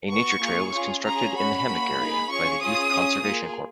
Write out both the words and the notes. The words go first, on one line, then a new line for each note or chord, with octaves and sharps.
A nature trail was constructed in the hammock area by the Youth Conservation Corps.
B3 F#4 C#6
A#3 F4 G#4
C#4 F4 G#4
C#4 F4 G#4 A#5
C#4 F#4 B5
A#3 C#4 F#4
A#3 D#4 G#4
C#4 F4 G#4 C#6
C#4 F4 G#4 D#6
C#4 G#4
A#3 F4 G#4